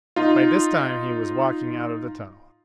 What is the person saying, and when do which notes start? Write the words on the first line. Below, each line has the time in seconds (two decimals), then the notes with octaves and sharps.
By this time he was walking out of the tunnel.
0.16 D#4 F4